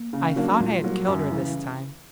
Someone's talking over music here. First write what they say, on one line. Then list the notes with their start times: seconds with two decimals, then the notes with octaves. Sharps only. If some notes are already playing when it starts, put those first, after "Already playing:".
I thought I had killed her, this time.
Already playing: A#3
0.13 C#3
0.36 F#3 A#3 D4
0.60 A#2 G3
0.84 F#3 A#3
1.08 F#2
1.31 C#3 E3